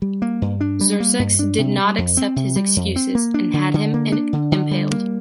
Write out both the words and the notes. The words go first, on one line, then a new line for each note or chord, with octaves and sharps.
Xerxes did not accept his excuses and had him impaled.
G3
A#3
G2
D4
G3
A#3
G2
D4
C3
G3
F2
C4
C3
G3
F2
C4
A#3
D4
D3
D3
A#3
D4
D3
D3
G3
A#3